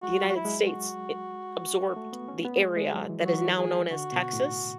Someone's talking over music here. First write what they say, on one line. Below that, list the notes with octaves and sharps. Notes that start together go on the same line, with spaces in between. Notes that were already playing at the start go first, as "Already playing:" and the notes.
The United States, it absorbed the area that is now known as Texas.
G#3 F#4
F#3 F#4
E4
G#3
F#4
A3
B3
C#4
B3
G#3
G#3
F#3
E3
F#3 F#4
E3
G#4
D3 F#4
B2
A2